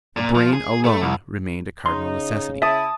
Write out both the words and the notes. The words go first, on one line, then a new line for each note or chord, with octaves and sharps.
The brain alone remained a cardinal necessity.
A#2
F3
G#4
A3
C2
C#3 D#4 C6
E4 E5 A5 D#6